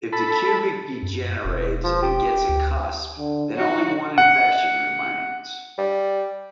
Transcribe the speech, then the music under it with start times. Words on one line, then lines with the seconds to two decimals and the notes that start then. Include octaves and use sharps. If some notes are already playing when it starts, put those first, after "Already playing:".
If the cubic degenerates and gets a cusp then only one inflection remains.
0.13 A4 B5
1.03 F#2
1.44 E1
1.84 F3
2.03 G4
2.49 D2
3.18 D3
3.56 F#3 D#4 F#4
4.18 F#5
5.78 G3